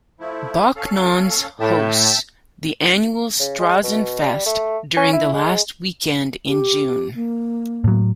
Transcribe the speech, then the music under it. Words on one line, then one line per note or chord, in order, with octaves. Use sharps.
Backnang's hosts the annual "Strassenfest" during the last weekend in June.
F3 A3 E4
C#4 A4 F5
A2 E5 G5 A5
C#3
G#3
B2
G3
A3
C#4
E4
G#3
G4
A#3
A2 F#3